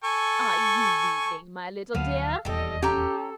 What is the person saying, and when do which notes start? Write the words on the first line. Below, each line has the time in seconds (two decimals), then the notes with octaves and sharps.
'Are you weaving, my little dear?'
0.04 A4 G#5 C#6
1.95 D2 D3 F3 F#3 B3 F5
2.45 D#1 E2 G3 G4 A4 D#5
2.83 C#4 G4 A4 G5 A#5